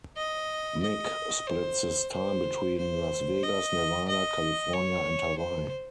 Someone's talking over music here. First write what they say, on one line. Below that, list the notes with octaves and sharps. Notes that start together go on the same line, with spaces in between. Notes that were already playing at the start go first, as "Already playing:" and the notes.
Mick splits his time between Las Vegas, Nevada, California, and Hawaii.
D#5
D#5
C5
C5
C5
D#5
D#5
C#5
C5